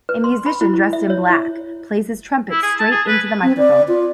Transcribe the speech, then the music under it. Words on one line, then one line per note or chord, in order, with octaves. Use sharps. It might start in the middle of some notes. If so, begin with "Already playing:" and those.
A musician dressed in black plays his trumpet straight into the microphone.
B4
C6
B5
E4
E4
E5
C#5
E4
E4
G#4
A5
G#4
B4
C4
D5
F4